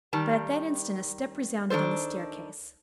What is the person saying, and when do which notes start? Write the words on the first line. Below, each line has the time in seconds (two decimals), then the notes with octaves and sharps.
But at that instant a step resounded on the staircase.
0.13 D#3 G3 A5
1.70 D#3 D4 A4 C5